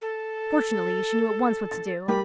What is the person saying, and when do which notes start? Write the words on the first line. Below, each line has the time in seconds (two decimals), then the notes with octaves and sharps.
Fortunately she knew at once what to do.
0.01 A4
1.72 A6
2.08 G3 G4 A#4 B5